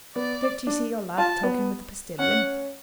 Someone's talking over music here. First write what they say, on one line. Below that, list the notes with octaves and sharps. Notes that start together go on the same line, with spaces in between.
"Don't you see your lad talking with the postilion?"
B3 D5
D4
F4 A5
B3
C#4 F#5